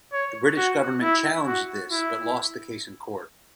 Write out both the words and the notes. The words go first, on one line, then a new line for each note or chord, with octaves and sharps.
The British government challenged this but lost the case in court.
C#5
F#4
E4
F#4
E4